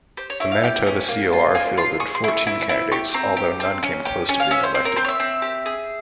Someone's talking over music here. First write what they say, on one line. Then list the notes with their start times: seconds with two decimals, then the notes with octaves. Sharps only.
The Manitoba CoR fielded fourteen candidates, although none came close to being elected.
0.17 G4 C5
0.30 C#5
0.40 E4 C#5
0.51 F5
0.64 G4 G5
0.87 C#4
1.09 A#3
1.32 F4
1.55 A#3 G#5
1.77 F4 C6
2.00 G#4 C#6
2.15 C6
2.24 E4 C#6
2.47 E4
2.69 E4
2.92 G4 C#6
3.14 C4 A#5
3.37 G4
3.60 C4
3.83 C#4
4.05 G4
4.29 C#4 G#5
4.40 F5
4.51 C#4 E5
4.63 C5
4.75 C4 C5
4.85 A#4
4.96 C4 C5
5.05 C#5
5.08 E5
5.20 C4
5.42 G4
5.66 G#4